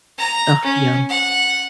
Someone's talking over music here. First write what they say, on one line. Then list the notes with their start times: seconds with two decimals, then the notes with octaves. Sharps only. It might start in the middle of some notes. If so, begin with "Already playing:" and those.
Ah, yum.
0.18 A#5
0.62 C#4
1.09 F#5